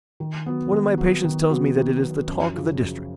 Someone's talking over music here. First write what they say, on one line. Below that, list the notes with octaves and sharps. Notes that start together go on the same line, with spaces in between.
One of my patients tells me that it is the talk of the district.
D#3
F#3 B3
D#3
F#3 B3
D#3
F#3 B3
D#3
F#3 B3
F#2
C#3 F3
F#2